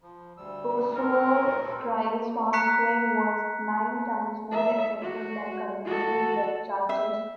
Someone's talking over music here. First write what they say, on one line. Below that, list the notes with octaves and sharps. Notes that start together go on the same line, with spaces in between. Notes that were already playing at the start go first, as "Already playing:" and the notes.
Postwar trials found Squid was nine times more effective than conventional depth charges.
F3
D2 G3 E6
C4 C#4 A4 A#4
C4 A4
A#5 F#6 B6 C#7
E5
F#4
F#4 A4
E5